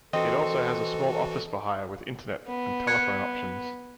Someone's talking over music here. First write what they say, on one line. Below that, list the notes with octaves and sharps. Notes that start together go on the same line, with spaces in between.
It also has a small office for hire with Internet and telephone options.
E3 C4 F#4 A4 D#5
B3
F#6 G#6 C#7